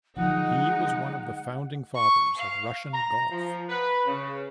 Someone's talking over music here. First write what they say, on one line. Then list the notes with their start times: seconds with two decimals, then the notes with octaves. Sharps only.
He was one of the founding fathers of Russian Golf.
0.16 D3 F3 F#3 G#3 D#4 F#5
1.95 C#6
2.37 F5
2.94 A#5
3.31 F3
3.69 B4
4.07 C#3